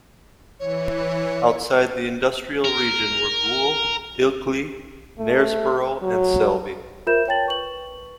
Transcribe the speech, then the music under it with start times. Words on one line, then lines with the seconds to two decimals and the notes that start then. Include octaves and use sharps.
Outside the industrial region were Goole, Ilkley, Knaresborough and Selby.
0.59 E3 C#5
2.64 A#4
5.18 A3
6.02 F#3
7.07 F4 A#4 C5 E5 G6 E7
7.27 F4 C#5 G5 A5 A6 F#7
7.46 B4 C#6 F#7